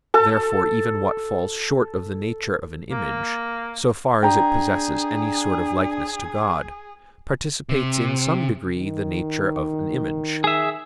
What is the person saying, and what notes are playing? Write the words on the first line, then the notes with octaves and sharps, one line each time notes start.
Therefore even what falls short of the nature of an image, so far as it possesses any sort of likeness to God, participates in some degree the nature of an image.
A4 A5
A#3
D4 G#4 G5 A#5
C3
D#3
G#4 E5